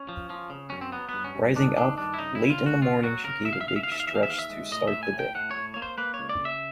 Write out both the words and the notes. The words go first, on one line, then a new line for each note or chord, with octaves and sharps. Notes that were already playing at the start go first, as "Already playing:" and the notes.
Rising up late in the morning she gave a big stretch to start the day.
Already playing: C#4
F3
F3
C#3
F#2 C#4
C4
F#3 B3
B3
G2
C#4
G2
D#3 D4
D#3 D4
G2 D4
E4
C#3 D#4
E4
C#3
F4
D2
F#4
C#3 F4
F#3 F#4
C#3 A#4
D#2 E5
F5
E5
C#3 F5
E5
F5
D#2 E5
F5
E3 E5
F5
E5
D#2 F5
E5
G#3
A2 D#5
E5
A2
G#5
A2
G5
A2 F#5
C#5
A2
A#3 C#5
C5
A#3 B4
C#5
C#2
D5
C#3
E5